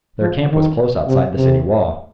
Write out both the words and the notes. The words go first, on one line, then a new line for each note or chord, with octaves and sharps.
Their camp was close outside the city wall.
F3
D#3
C3
C3